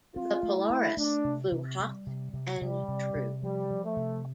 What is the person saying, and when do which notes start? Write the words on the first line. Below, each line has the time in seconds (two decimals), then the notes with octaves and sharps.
The Polaris flew hot and true.
0.15 C4 F4
0.43 A3
0.56 E4
0.70 A3
0.97 A3 D4
1.25 C3
1.52 C3
1.79 G3
2.07 C3
2.34 C3
2.61 C3 G3
2.88 C3
3.15 C3
3.42 F3 G3
3.70 F3
3.83 A3
3.97 C3